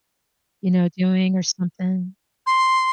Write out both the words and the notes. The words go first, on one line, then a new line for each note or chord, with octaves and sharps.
you know, "doing?" or something.
C6